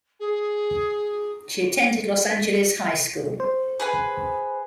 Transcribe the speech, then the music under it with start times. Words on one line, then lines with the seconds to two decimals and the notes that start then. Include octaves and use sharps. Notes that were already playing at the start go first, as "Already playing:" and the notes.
She attended Los Angeles High School.
0.19 G#4
3.40 C5
3.80 G#4 B4 G#5